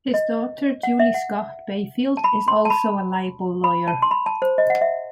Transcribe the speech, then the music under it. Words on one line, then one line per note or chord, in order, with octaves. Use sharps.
His daughter Julie Scott-Bayfield is also a libel lawyer.
D#5
F#5
E5
F#5
A5
B5
C6
A5
B5
B5
A5
C6
B5
A5
C5
D#5
F#5
E5